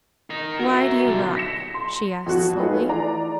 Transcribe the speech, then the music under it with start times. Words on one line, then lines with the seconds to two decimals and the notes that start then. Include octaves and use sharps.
"Why do you rock?" she asked slowly.
0.30 A#4 D#5
0.60 F#4 A#4 E5
1.07 B1 D3
1.35 A#6 B6 C#7 E7
1.74 C6
2.26 F2 C4 F#4
2.59 A3 D#4 F4 G#4 B4
2.89 E3 D5 A#5